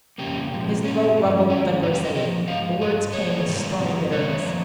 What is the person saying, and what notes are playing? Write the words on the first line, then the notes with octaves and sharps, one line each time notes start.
His throat rumbled thunderously; the words came with stormy bitterness.
F2 C#3 G3 A#3 G4
A#2 F3 G#3
A#2 G#3 C#4
G2 F3 G#3
G#2 D#3 G#3 C#4
F2 C3 G3 D#4
G4
D#5
A#2 F3 D#5
G#2 F3 F5
G2 G3 D#5
C3 G3 A#3 C#5
G#2 D#3 G3 A#3
C3 F3 G#3
F2 D#3 G#3 C#5
F3 A#3